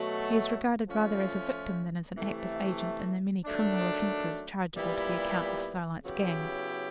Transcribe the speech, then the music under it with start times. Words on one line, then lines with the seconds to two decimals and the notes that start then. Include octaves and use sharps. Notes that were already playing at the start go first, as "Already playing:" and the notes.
He is regarded rather as a victim than as an active agent in the many criminal offences chargeable to the account of Starlight's gang.
Already playing: B2 F#3 A3
0.87 F3 A3 C#4 F4
2.17 C3 E3 A3
3.45 D#3 F#3 A3 D4
4.74 A#2 G3 B3 E4 G4
6.03 C#3 F#3 B3 E4 G4